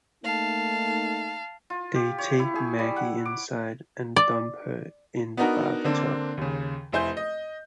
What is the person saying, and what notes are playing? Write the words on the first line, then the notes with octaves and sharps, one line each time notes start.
They take Maggie inside and dump her in the bathtub.
A3 A#3 D#4 F5 A5
F4
G4
C#5
E4
G#4
G3
F#5
D6
D5
B3 D4 D#4 F#4 A#4
D3 A#3 C4 D4
D#2 C#3
F1 E4 C5 G#5 G6
D#5